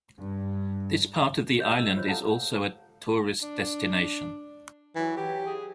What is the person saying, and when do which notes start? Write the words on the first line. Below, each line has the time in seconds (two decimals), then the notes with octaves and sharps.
This part of the island is also a tourist destination.
0.18 G2
1.59 F#4 G4 C#5 D#5 E5
1.77 E6
1.95 F4 G4 C5 C#5
2.07 A4 F5 F#5 A5 A#5
3.42 D4
4.96 E3 F#3
5.17 G4
5.46 G#4